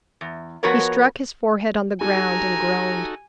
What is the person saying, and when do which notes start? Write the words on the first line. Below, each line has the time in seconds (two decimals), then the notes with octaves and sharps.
He struck his forehead on the ground and groaned.
0.21 E2
0.63 F3 B3 F#4 A#4 B4 C#5
2.01 D#4 F#4 G4 A4 G#5 A#5